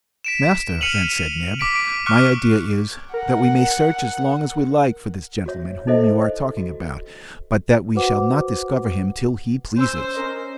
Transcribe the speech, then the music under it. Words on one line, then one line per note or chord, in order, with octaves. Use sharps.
"Master," then said Neb, "my idea is, that we may search as long as we like for this gentleman whom you are talking about, but that we shall not discover him till he pleases."
B6 D7 E7
F6 C#7 D#7 F7 F#7
D6 B6 D7
D7
C#6 D6 F6 F#6 C#7
A#4 F#5
F#4 C#5 E5
D#4 E4 A4 C5 D#5 E5
F#4
F#4 B4 C5 F#5 D6
C#4 C5 E6
C#4 A#4 D#5